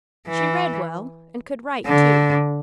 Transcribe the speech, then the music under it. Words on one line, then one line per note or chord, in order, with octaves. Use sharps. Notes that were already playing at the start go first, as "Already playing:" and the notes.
She read well and could write, too.
E3
D3